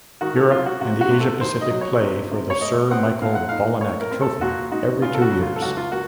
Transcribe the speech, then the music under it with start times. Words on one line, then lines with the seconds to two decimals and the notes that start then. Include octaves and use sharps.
Europe and the Asia-Pacific play for the Sir Michael Bonallack Trophy every two years.
0.21 D#3 F#4
0.36 A4
0.51 F#3 F4
0.66 F#4
0.81 C3 F#4
1.01 F#4
1.11 C3
1.21 A4
1.41 D#3 C5
1.61 D#5
1.71 F#3
1.81 C#5
2.01 C3
2.31 C3
2.50 C#5
2.61 A3 D#5
2.91 C4 F#5
3.22 A#2 F5
3.35 F#5
3.49 D#4 F5
3.81 A3 C#5
4.01 A#4
4.11 C4
4.21 A4
4.41 A#2 F#4
4.72 D#4 F#4
5.02 C#3 F4
5.14 A4
5.22 F#4
5.32 F#3
5.42 F4
5.56 A4
5.62 C#2 F#4
5.77 F4
5.92 A#3 F#4